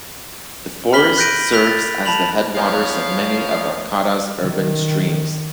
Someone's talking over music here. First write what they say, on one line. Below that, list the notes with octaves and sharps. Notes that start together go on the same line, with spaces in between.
The forest serves as the headwaters of many of Arcata's urban streams.
B5 F6 B6 F#7 G7
F#6 G6 A#6 D7 D#7
F#6 B6 F7
A6
A5 B5 F7 F#7
F3 B3 A#4 C#5 F5
D#3